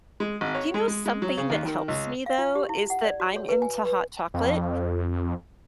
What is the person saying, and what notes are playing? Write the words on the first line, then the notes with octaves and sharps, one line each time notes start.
Do you know something that helps me, though, is that I'm into hot chocolate,
G#3
G#1
C#5
G#3
G#3
G#3
F#3
C#3
D#2
D#3
C#2
F5
F4
G4
E4
F#5
D5
F#4
C#5
B4
G#5
B4
F2